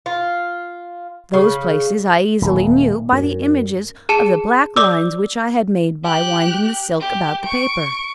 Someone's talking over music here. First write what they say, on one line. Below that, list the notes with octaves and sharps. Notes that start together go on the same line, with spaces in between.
Those Places I easily knew by the Images of the black Lines which I had made by winding the Silk about the Paper.
F4
C#3
D#1
F#2
G#4 A5 C#7 E7
D5 D6 E6
G4 F#6
G4
C#6 D7